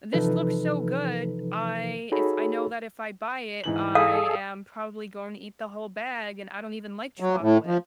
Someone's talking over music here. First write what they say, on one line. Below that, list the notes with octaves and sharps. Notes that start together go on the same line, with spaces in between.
this looks so good, I if I know that if I buy it I am probably going to eat the whole bag, and I don't even like chocolate.
C3 E3 F3 D#4 A4 B4
D#4 F#4 G#4 A4 C#5 B5
G#2 E3 F#7
G#4 A4 F5 D#6
F#3
A2
F3